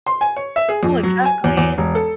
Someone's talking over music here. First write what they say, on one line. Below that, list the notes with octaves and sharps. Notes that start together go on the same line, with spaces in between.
Oh, exactly.
C6
G#5
C#5
E5
G#4
F2
F#3
G#5
E2
E2
E1
A4